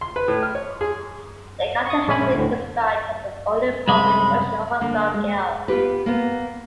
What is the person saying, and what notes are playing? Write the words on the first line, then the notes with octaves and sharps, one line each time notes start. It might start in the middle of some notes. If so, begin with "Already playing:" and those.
The character has been described as the "only properly functional husband" of Gail.
C6
B4
A2
F6
C#5
G#4
C#6 D#6
A#1 G#3 C#4 E5 G#5 B5
D2 A2 D3
C2 F#2 G#3 B5
D3 A#3
G#3
B3 F4 G4 B4
A#3 B3